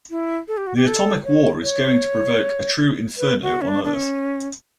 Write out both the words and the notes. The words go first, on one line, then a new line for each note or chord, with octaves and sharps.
The atomic war is going to provoke a true inferno on Earth.
E4
A4
G4
F#4
G4
A4
C#5
C#5
B4
F#4
C#4
D4
D4
C#4